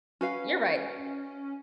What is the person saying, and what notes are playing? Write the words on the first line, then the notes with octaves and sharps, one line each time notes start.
you're right.
C#4 F#4 B4 F5